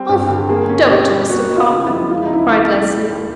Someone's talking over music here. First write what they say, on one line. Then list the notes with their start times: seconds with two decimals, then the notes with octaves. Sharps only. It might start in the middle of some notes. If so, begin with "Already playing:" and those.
"Oh, don't, Mr. Parker," cried Leslie.
Already playing: G3 C4
0.09 G2
0.29 D3
0.49 A#3 G#4
0.69 C#4
0.89 B2 G4
1.09 G3
1.29 A#3 F#4
1.50 D#4
1.56 F4
1.70 C#3
1.83 E4
1.90 F3
2.09 G#3 F4
2.17 E4
2.25 D#4
2.30 C#2 E4
2.49 C#2
2.70 B2
2.89 G#3
3.10 D#2